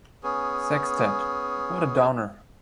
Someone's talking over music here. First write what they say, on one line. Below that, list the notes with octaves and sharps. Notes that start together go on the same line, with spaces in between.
Sextet: What a downer!
B3 C#4 G#4